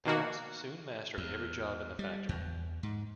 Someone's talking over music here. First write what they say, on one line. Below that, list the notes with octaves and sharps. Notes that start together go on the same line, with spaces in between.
Pass soon mastered every job in the factory.
B2 D#3 A#3 F#4
E2
G3
E2
G#2